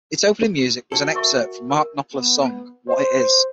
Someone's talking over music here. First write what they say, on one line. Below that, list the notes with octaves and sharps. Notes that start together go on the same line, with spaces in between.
Its opening music was an excerpt from Mark Knopfler's song What It Is.
D4 F#4 A4
A#4 E5 C#6
A#4
B3
C5